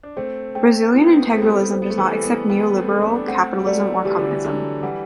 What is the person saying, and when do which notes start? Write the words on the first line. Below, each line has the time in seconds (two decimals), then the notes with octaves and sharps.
Brazilian integralism does not accept neoliberal capitalism or communism.
0.03 D4
0.17 A3 C4 C5
0.55 A3 C4 G5
0.94 B3 E4
1.06 C4
1.18 B3
1.31 C4 A4
1.42 G3 B3
1.72 C5
1.82 B3
1.90 A3
1.98 E3 G3
2.11 A4
2.24 G3 B3
2.49 G3 B3 G5
2.76 A3 C4
2.89 A4
3.02 B3 D4
3.16 D4
3.27 A3 C4 F#5
3.59 G3
3.66 F#3 A3 D5
4.05 E3 G3 G4
4.18 D3
4.31 E3
4.44 D3 F#3 D4
4.83 E3 G3 F#5